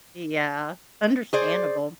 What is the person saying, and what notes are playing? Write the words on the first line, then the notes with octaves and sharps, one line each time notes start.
Yeah, understandable.
G#4 C5 D5